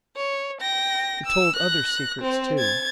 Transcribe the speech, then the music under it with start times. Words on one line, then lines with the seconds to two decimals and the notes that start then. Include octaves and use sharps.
It told other secrets too.
0.16 C#5
0.61 G5 A#6
1.26 E6
1.57 F#6 A#6
2.22 C4 C5
2.58 G#6 A6